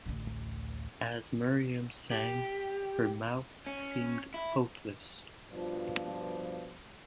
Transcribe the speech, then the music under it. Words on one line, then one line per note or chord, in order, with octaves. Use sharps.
As Miriam sang her mouth seemed hopeless.
A1 D2
G4
C#4
E4
G2 B2 F3